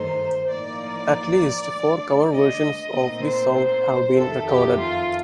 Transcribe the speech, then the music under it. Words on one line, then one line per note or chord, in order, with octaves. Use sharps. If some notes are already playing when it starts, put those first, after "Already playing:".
At least four cover versions of this song have been recorded.
Already playing: G2 D#3 A3 D#4 C5
A2 F3 A#3 D#4 D5
D3 A3 D4
D#5
A#2 A3 C4 D#4 D#5
C5
F2 D#3 A3 A4
G4
F4